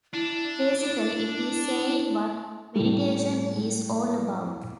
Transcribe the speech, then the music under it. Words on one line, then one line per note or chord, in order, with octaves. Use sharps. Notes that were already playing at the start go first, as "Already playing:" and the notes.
Basically it is saying what meditation is all about.
D4 E4
A2 G3